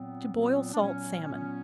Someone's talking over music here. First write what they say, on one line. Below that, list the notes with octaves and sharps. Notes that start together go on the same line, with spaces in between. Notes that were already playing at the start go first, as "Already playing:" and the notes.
To Boil Salt Salmon.
Already playing: A#2 F#3 B3 C4
A#2 F#3 B3
D4
A#2 F#3 B3 C#4
A#2 F#3 B3